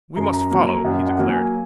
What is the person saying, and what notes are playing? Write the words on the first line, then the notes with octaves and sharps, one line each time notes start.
"We must follow," he declared.
F#2 A#5
A#5
F#3 A#3 A#5
A#5
F#2 F#5
F#5
F#3 A#3
G#5